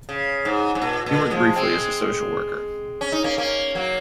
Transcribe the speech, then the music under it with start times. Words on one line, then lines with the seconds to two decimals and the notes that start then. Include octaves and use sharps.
He worked briefly as a social worker.
0.09 C#3
0.45 G#2
0.75 G#2
0.82 A#2
1.06 A#2
1.30 F3 G#3
1.56 G#3 C4
3.01 C#4
3.12 D#4
3.24 A#3 C#4
3.38 A#3 C#4
3.75 F#3 A#3